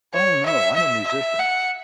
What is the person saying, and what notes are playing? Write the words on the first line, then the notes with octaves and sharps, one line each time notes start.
Oh, no, I'm a musician.
C#5
E5
E5
E5
F#5